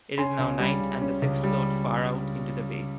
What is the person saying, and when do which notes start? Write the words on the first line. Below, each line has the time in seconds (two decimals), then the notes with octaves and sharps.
It is now night and the six float far out into the bay.
0.18 C#4 G#5 C6
0.39 C#2
0.59 G3
0.80 C#3
1.01 C#4
1.22 C#2
1.44 G3